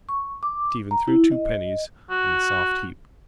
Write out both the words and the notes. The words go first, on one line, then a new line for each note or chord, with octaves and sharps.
Stephen threw two pennies on the soft heap.
C#6
D6
A#5
E4
D#5
F#4